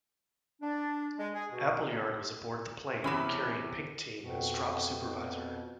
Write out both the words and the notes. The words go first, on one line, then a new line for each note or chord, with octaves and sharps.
Appleyard was aboard the plane carrying 'Pink' team as drop supervisor.
D4
G#3
G#4
B2
E2 C3 C#4 B5 E7
F2 B2